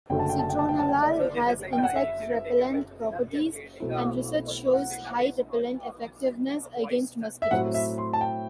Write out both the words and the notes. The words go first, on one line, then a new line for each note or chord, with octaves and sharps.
Citronellal has insect repellent properties, and research shows high repellent effectiveness against mosquitoes.
F#1 F#2 D3 A3 G5
A5
G5
A5
G5
A5
G5
A5
G5
D5
G5
F#5
E5
B1 B2 A3 C4 E4
F#5
E5
A2 F#3 C4 E4 F#5
E5
C6
A5
G5